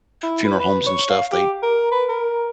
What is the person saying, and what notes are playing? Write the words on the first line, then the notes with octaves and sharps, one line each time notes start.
funeral homes and stuff, they
E4
B4
B4
C#5
F5
G4
A#4
B4
A#4